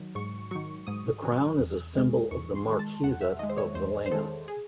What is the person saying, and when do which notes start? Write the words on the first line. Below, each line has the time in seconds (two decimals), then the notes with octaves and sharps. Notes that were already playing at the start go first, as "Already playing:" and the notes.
The crown is a symbol of the marquisate of Villena.
Already playing: D#3 F#3
0.15 G#2 C#6
0.51 D#3 F#3 C#6
0.87 G#2 D#6
1.23 D#3 F#3
1.59 E2
1.95 D#3 G#3
2.31 E2 C#6
2.55 C6
2.68 D#3 G#3
2.79 A5
3.03 E2 F#5
3.21 E5
3.39 D#3 G#3 D#5
3.49 C5
3.58 C#5
3.75 E2 C5
4.06 C5
4.11 D#3 G#3 A4
4.48 G#4